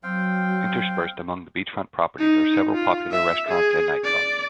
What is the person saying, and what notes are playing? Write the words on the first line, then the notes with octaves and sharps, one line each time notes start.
Interspersed among the beachfront properties are several popular restaurants and nightclubs.
F#3 C4 F5 G5
D#4
F4
E5
G#4
D5